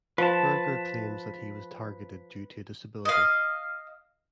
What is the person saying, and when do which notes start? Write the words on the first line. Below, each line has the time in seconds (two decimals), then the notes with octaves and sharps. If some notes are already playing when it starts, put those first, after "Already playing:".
Berger claims that he was targeted due to a disability.
0.18 F3 B4 A5
3.05 D#5 F5